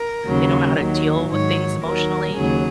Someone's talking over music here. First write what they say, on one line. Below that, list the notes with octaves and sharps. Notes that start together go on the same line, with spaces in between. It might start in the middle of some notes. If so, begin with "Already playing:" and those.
they don't know how to deal with things emotionally,
Already playing: A#4
D#2 C#3 F#3
D#2 D#3 F#3
G#2 D#3 F#3 C#5
D#2 D#3 F#3 A#4
D#2 C#3 F#3 G#4